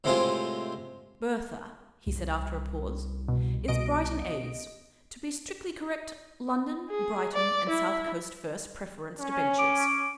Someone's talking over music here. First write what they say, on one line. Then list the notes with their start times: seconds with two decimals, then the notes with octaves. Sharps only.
'Bertha,' he said, after a pause, 'is Brighton A's--to be strictly correct, London, Brighton, and South Coast First Preference Debentures.
0.04 A2 C3 G#3 C4 F4 G4
2.07 C2
3.28 B2
3.68 B2 D#5 D7
6.90 G#4
7.34 D5
7.69 E4
9.20 C#4
9.59 D6